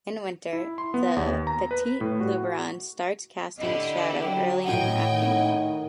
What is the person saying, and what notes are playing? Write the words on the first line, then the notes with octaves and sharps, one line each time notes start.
In winter, the Petit Luberon starts casting its shadow early in the afternoon.
E4
C6
B3
D#2
A#5
B4
A2
F#4
D3 E4 G4 D#5
F#3 G5
A2 D#5 F#5 G5 G#6
D#3